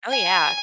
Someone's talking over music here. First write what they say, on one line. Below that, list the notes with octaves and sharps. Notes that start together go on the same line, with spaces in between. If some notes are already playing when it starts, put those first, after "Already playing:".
Oh, yeah.
G#5